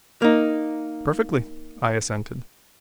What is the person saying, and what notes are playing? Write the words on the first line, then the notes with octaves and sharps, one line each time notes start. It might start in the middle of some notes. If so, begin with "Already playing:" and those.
"Perfectly," I assented.
A#3 D#4